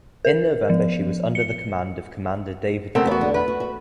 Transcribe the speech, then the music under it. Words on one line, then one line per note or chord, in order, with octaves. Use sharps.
In November she was under the command of Commander David Gilmour.
A#4
F3
C#7
C#3 A3 C4 A#4 F#5
B3 F#4
D3
B4
F#4
F#4